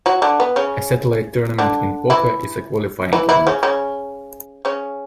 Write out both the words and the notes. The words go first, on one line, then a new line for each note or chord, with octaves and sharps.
A satellite tournament in poker is a qualifying event.
F#3 F#4
D3 D4
B3
C#3 C#4
D3 D4
E3 E4
E3 E4
E3 E4
C#3 C#4
C#3 C#4
C#3 C#4